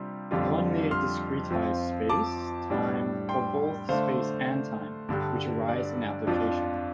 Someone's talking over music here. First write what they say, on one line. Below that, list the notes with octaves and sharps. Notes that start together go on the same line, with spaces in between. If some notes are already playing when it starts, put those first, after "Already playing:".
One may discretize space, time, or both space and time, which arise in application.
Already playing: C3 G3 D4 F4 C6
F2 D3 G3 D4 F4
C6 F6
F2 F3 C4 F4
A5 D6
A2 G3 D4
G5 C6
D3 A3 D4 C5 F5
G2 D3 G3
D5
F2 F3 D4 F4